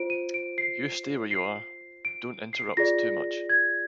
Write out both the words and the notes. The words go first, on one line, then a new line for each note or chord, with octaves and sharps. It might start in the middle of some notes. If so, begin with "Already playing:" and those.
You stay where you are — don't interrupt too much.
Already playing: F4 C5 D7
D#7
D7
C7
C7
D7
C7
F4 G#4 D5 A#6
G#6